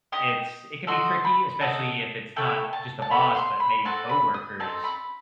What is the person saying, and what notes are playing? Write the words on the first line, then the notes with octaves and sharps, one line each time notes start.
It's It can be tricky. Especially if it's not just the boss, but maybe coworkers
D#4 G4 D#6
D#4 F#4 A4 C6
B5
D#4 F#4 A4 A5
A3 E4 A4 G5
A5
A5
B3 F#4 A4 B5
C6
B5
C4 F#4 A4 A5
B5
D#6
C4 D#4 A4 A5
B5